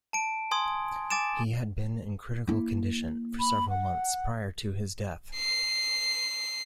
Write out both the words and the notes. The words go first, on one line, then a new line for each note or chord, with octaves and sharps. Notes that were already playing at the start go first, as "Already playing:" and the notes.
He had been in critical condition for several months prior to his death.
A5 D7
G#5 C6 D#6 G#6
G#5 D6 A6 D7 E7
A#3 E4
B5
F#5
C7